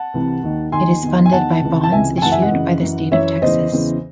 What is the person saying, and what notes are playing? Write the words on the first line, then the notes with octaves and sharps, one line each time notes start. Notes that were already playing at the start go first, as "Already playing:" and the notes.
It is funded by bonds issued by the state of Texas.
Already playing: F#5 A5
C2 C3 E3
D#2 D#3
D#2 D#3 G#5 C6
E2 D#3
G#5
E2 D#3 F#5 A5
C#2 C3 E3
A5
C#2 C3 E3 E5 G#5
G#5
F#2 C#3 E3 F#5 A5
E5 G#5
D#5 F#5
F#2 C#3 E3
F#2 E3
F#2 E3 C#5 E5
E2 C#3 E3 C5 D#5
E2 C#3 E3